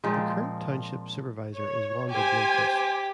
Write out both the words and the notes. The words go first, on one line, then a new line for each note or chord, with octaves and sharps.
The current Township Supervisor is Wanda Bloomquist.
A#2 F3 G#3 C4
C#5
G4 C5 G#5